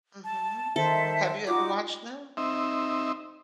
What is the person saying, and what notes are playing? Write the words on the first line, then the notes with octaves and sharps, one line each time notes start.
Mhm. Mhm have you ever watched them?
A5
D#3 A4 C5 E5 A5
D#4 F4 F#4 D6
C4 D#4 E5